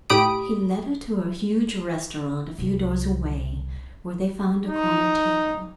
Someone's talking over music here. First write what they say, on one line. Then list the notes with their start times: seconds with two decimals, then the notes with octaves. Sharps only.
He led her to a huge restaurant a few doors away, where they found a corner table.
0.10 A2 G4 B5 D#6 D7
2.58 C2
4.67 D#4